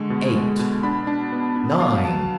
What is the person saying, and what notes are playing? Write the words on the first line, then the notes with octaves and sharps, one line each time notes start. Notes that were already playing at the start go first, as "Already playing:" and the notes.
Eight, nine!
Already playing: D3 G#3 C#6
B2
G#3
B2
D4 B5
D4
B3
D4
F#3 F5
F#3 A5